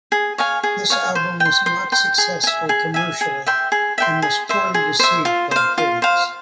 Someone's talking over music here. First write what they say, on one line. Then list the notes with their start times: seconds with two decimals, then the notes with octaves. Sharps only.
This album was not successful commercially and was poorly received by critics.
0.12 G#4
0.38 C#5 F5 G#5
0.63 G#4
0.90 C#5 F5 G#5
1.15 C5
1.40 G5
1.45 C6
1.66 C5
1.92 G5 C6
2.18 G#4
2.43 E5 G#5
2.69 G#4
2.94 E5 G#5
3.21 G#4
3.47 E5 G5 C6
3.72 G#4
3.98 E5 G5 C6
4.22 G#4
4.49 C5 E5
4.74 G#4
4.99 C5 E5
5.25 F4
5.51 C5 F5
5.78 F4
6.02 C5 F5